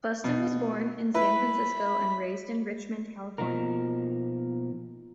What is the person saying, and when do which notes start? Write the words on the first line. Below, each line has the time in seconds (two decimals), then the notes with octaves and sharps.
Buston was born in San Francisco and raised in Richmond, California.
0.24 B2
1.14 E4 B4 B5
3.38 B2 F3 A#3 D#4 A#4